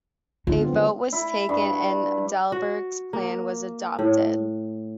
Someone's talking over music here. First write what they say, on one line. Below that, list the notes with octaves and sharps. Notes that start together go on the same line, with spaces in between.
A vote was taken and Dalbier's plan was adopted.
D3 D#4 F4
B3 C4
G3 D4
E4
G2
F#4
A#3
A2